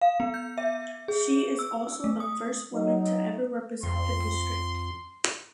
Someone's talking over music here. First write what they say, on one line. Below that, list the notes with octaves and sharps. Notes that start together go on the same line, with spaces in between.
She is also the first woman to ever represent the district.
F5
B3
G6
E5
G#4
E6
A3
D#6
F#3 D#4
F2 C6